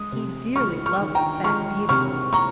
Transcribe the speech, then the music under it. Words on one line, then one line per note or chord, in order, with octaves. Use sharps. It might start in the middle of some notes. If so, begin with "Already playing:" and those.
He dearly loves a fat beetle.
Already playing: G#3 D#6
C3
C#2 C#6 F6
C#6 F6
D#3
G5 A#5
G#3 C#6 F6
C3 C#6 F6
A#5 C#6